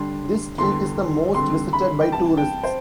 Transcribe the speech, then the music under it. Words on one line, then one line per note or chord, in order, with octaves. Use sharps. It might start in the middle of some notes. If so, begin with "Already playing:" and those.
This street is the most visited by tourists.
Already playing: D3 G3 D4 C6
E2 D3 G3 C6
D3 G3 C4 C6
B5
G5
C3 E3 G3 A5
G5
C5